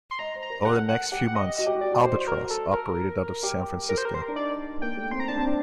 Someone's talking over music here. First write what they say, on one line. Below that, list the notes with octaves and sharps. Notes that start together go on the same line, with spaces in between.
Over the next few months, "Albatross" operated out of San Francisco.
C6
D#5 A#5
C5
A#5
A#4
A4 F#5
F#5
G4 F#5
F#5
D#5
F#4 D#5
G4
F#4
G4 D5
F#4
D5
F#4 C5
C5
A#4
A4
A#4
G4
G4 A#4
C5
A#4
C5
A#4
D4
D#4 D5
A#3 G5
A3
C4 C6
A#5
D4 A5
C4
D4